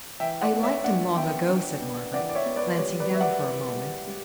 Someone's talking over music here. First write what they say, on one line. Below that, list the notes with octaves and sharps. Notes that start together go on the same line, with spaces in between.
'I liked him long ago,' said Margaret, glancing down for a moment.
E3 E5 G5
D5 F#5
B3
C#5 E5
D4 D5 F#5
B3 E5 G5
D4
B3
E3 D5 F#5
D5
C#5 E5
B3
B4 D5
G3 C#5
B4 D5
G3 E5
D5 F#5
E3
G3
G3